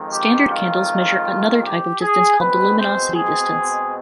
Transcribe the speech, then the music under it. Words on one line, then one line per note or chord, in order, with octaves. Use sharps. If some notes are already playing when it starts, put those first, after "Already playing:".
Standard candles measure another type of distance called the luminosity distance.
Already playing: F2 D#3 G#3
G4
F4
G4
G#4
B2 G#3 C4 B4
C5
G#4